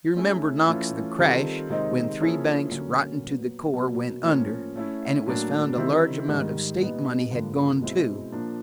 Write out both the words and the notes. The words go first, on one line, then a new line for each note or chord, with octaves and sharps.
You remember, Knox, the crash, when three banks, rotten to the core, went under, and it was found a large amount of state money had gone too.
A3 C#4 E4 G#4
E3 A3 C#4 F4
D#3 G3 C4 F4 A4
C3 D#3 G#3 C4 D#4
F3 A#3 C#4 E4 G#4
D3 F#3 A#3 C#4
A#2 F#3 B3
B2 F#3 A#3
A2 F3 A#3 C#4
A3 C#4 E4
A2 F#3 A#3 D4
D#3 G3 C4 E4
G#2 D#3 G3
A#2 G3 B3 D#4
G2 D3 F3 A#3
B2 G#3 C4 E4
A#2 F3 A#3 D4